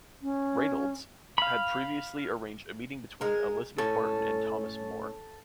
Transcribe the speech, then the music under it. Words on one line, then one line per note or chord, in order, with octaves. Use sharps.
Reynolds had previously arranged a meeting between Elizabeth Barton and Thomas More.
C#4
F5 B5
G#3 A#4
A2 C#4 A4